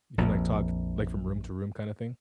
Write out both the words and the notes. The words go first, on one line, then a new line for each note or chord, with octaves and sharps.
You can, like, talk, like, from room to room kinda thing?
A#1 F2